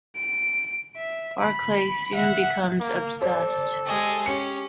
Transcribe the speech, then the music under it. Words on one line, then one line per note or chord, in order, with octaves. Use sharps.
Barclay soon becomes obsessed.
D7
E5
B5
E5 F#5
A#3
A4 C5 D5
G#3 G4 D#5 G#5
C#4 G4 C#7